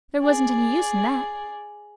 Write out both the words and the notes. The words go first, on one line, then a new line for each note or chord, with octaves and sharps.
There wasn't any use in that.
G#4 D5